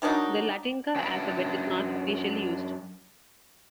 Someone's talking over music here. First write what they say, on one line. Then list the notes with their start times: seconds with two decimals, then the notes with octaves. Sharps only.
The Latynka alphabet is not officially used.
0.02 D#3 F#3 D4 D#4
0.96 F#2 D4 G5